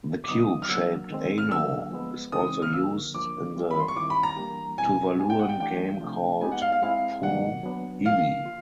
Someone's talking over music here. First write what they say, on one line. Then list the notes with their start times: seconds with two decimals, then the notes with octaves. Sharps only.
The cube shaped "ano" is also used in the Tuvaluan game called "poo ili".
0.24 D6
0.28 D3 F#3 B3 D#4 D#6
0.62 F6
0.69 F#3 A#3 D4 F#4 E6
1.10 D#3 G#3 C4
1.38 F6
1.51 D3 F#3 A#3 D4 E6
1.91 F3 G#3 B3
2.32 C#3 E3 G#3 C4 D#4 D#6
2.62 F6
2.73 D3 F3 A#3 E6
3.14 F3 A#3 D4 D6
3.55 E3 G3 C4 F4 G#4
3.71 B5
3.79 C6
3.88 C#6
3.96 D#3 G3 C4 E4 D6
4.10 B5
4.23 A#5
4.37 E3 G3 A#3 D4 G4
4.78 B2 G3 C4 E4 G#5
5.19 G#3 B3 D4 G4 G#5
5.30 G5
5.39 F#5
5.49 G5
5.59 E3 A3 D4 G4 G5
6.01 C3 F3 A3 D4 F4
6.41 G#3 B3 D#4 G4 G#5
6.52 F#5
6.62 F5
6.72 F5
6.82 G#3 C4 E4 G#4 F5
7.23 C3 D#3 F#3 A#3 F#5
7.63 F#3 B3 D4
8.05 D3 F3 A#3 F5
8.46 F4